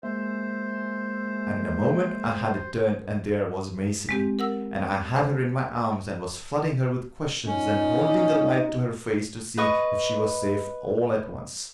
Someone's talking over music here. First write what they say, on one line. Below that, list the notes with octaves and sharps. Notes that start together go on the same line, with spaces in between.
And in a moment I had it turned, and there was Maisie, and I had her in my arms and was flooding her with questions and holding the light to her face to see if she was safe, all at once.
G#3 A#3 C5 E5
G#3 C4 G4
A#4 F#5 E6
C5
A#2 C#4 D#4
B4 D#5 C#6